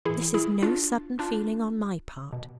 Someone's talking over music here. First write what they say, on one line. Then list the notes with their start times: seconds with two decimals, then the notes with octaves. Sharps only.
This is no sudden feeling on my part.
0.05 A2 E3 E4 G#4
0.34 E4 G#4
0.62 D4 F4
1.19 D4 F4
2.33 B2